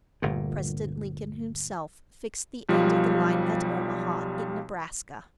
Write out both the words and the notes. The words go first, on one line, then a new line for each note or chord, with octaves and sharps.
President Lincoln himself fixed the end of the line at Omaha, in Nebraska.
G1 D2 A#2
B1 F3 G3